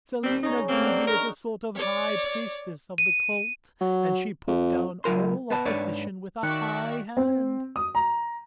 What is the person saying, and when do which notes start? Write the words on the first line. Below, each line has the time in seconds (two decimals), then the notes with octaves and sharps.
Selina Goobie is a sort of High Priestess of the Cult, and she put down all opposition with a high hand.
0.24 D#2 G3 C4
0.43 C#3 D#4 C#5
0.69 A#3 C4
0.80 D4 F#5
1.08 D#4 A#4 C#6
1.75 C#5 D5
2.98 D#7
3.81 F#3
4.48 F2
5.04 C#2 F#3 F4 A#4 C6
5.50 B3 B4 A5
5.65 G#2 D4 B4 C#5 D5
6.43 D#3 F#4 D5 E5 G5 F#6 C#7
7.17 C4
7.76 D#6
7.95 A#5